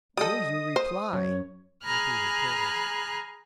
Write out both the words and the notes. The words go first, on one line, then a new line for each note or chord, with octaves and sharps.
"Will you reply?" repeated Torres.
G3 A4 D#5 D#6
C5
F#2 C#5
G#4 G#5 A#5 B5 F6 F#6